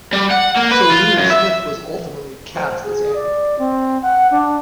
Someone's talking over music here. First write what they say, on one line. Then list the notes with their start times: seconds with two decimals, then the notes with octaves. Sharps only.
Celina Smith was ultimately cast as Annie.
0.13 G3
0.30 F#5
0.56 A#3
0.71 B4
0.90 F4
1.17 F#2
1.30 E5
2.55 C5
2.83 G#4
3.14 D5
3.59 C4
4.02 F#5
4.31 D4